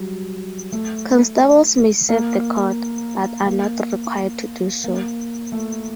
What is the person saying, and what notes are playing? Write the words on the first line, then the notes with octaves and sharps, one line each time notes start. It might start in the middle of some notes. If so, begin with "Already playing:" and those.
Constables may serve the court, but are not required to do so.
Already playing: F#3 G3
A3
A#3
A#3
A#3
A3